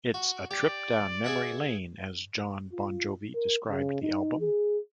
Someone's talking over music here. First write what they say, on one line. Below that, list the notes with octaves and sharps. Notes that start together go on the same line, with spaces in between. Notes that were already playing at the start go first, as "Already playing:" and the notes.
It's a "trip down memory lane" as Jon Bon Jovi described the album.
F#4
G4 D5
G#4 E5 F#5
F4
A#4
C#3
D#4
G#4